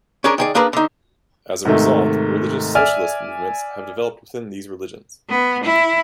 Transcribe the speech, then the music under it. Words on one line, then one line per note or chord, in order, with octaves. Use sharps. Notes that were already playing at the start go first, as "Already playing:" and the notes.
As a result, religious socialist movements have developed within these religions.
C#4 D4 G#4 A#4
D#3 G#4 D5
A#3 D4 G#4 A#4 B4
D3 D#4
G#2 C3 D#3 A3
D5 E5 G#5 F6
B3
E4